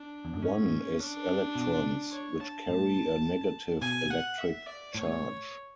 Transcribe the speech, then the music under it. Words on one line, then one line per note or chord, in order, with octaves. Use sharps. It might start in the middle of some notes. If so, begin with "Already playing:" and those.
One is electrons, which carry a negative electric charge.
Already playing: D4
E2
F#2
G#2 C#4
D4
B2
C#5
A5
A2
B2 G#5
F#5
E5
D5
A2 C#5